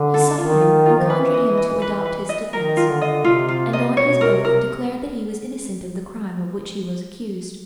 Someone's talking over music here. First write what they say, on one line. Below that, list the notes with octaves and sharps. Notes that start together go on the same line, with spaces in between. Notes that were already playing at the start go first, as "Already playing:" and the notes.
He sought him, and conjured him to adopt his defence, and on his oath declared that he was innocent of the crime of which he was accused.
Already playing: D3
A4
D#3 F4
F4
F4
F3
E3 B4
D#5
D#5
E3 B4
B4
D#5
D#3 A#4
F4
D3
D#5
C3 F4
F4
D#5
B2 C#5
A#4
C3
A#4